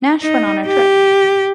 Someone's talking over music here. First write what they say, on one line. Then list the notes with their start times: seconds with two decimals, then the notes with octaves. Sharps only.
Nash went on the trip.
0.22 D#4
0.66 G4